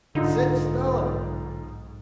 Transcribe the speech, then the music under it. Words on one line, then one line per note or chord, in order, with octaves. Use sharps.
"Six dollars."
B1 G#2 D3 D4 D#4 F4